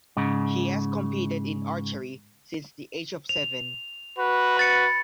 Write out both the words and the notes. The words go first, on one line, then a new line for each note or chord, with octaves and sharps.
He has competed in archery since the age of seven.
G#2 C#3
F7
F#4 B4
B5 A6 C#7